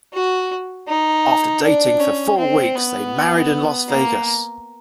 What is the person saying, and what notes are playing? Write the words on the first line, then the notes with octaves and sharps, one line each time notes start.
After dating for four weeks, they married in Las Vegas.
F#4
D#4
D4
C#4
C4
B3
A#3